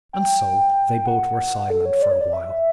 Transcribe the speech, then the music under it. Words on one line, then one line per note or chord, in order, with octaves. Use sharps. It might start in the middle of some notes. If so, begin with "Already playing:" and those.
And so they both were silent for a while.
G5
F#5
A4
C#5
D5
C#5
D5
E5